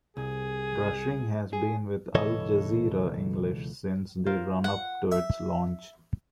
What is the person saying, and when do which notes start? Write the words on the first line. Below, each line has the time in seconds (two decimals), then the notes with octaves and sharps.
Rushing has been with Al Jazeera English since the run-up to its launch.
0.17 C2 G#4
1.53 G#4
2.15 C#2 B2 E3 A4 C#5 D#5
4.26 F4 A#4 C5
4.64 F#5
5.12 E5